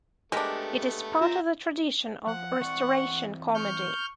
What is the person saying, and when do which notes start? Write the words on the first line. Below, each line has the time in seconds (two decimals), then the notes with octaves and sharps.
It is part of the tradition of Restoration comedy.
0.32 G#3 A3 B3 D4 G4 A#4
1.21 C4 F4 E5 A#5
2.27 F3 F#5
2.61 E3 C4 D5 C#6
3.55 C#6 F6 G6